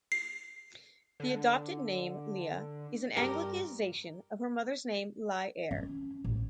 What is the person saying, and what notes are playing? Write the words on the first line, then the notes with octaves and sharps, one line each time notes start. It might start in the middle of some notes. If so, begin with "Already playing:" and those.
The adopted name "Leah" is an anglicization of her mother's name "Li-Er".
C7
D3
G2 G4 A#4
C#4
A1